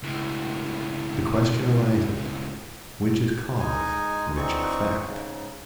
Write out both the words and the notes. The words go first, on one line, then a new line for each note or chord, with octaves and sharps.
The question arises: which is cause, which effect?
C#2 A2
G#3 D#4 G#5
F2 D3 E3 C4 D#4 C#6
G#2 C#3